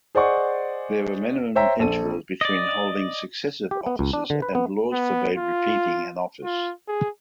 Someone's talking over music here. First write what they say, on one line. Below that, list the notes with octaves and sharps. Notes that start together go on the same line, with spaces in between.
There were minimum intervals between holding successive offices and laws forbade repeating an office.
G#4 C5 D5 D#5 F#5 C#6
C5 C#5 E5 G5 A#5
A#1 A4 D#7
D5 D#5
G4
B3
C#2
D4
D3
B4
B3
B3
F4
F4
G#4